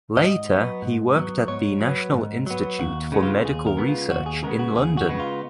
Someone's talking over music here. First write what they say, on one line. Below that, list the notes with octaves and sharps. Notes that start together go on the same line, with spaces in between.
Later he worked at the National Institute for Medical Research in London.
G#2 D#5
F#3 B3
G#2
F#3 B3
G#2 C#5
F#3 B3
G#2
F#3 B3
D#2 F#4
C#3 G#3 B3
F4
D#2 G#4
A#4
C#3 G#3 B3
F4
D#2 F#4
G#4
C#3 G#3 B3 A#4
F#4
D#2 G#4
F#4
C#3 G#3 B3
F4